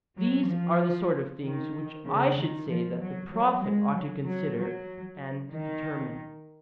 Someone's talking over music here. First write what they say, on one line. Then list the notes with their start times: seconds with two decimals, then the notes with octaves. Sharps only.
These are the sort of things which I should say that the prophet ought to consider and determine.
0.17 F#3
0.48 F3
1.42 D#3
2.05 C#3
2.36 D#3
2.69 F3
3.00 F#3
3.31 F#3
3.63 G#3
3.94 F#3
4.25 F#3
4.57 F#3
5.51 D#3